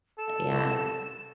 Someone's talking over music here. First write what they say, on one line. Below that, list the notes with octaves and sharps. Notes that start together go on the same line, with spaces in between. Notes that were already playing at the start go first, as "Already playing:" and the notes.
But, yeah.
A4 E7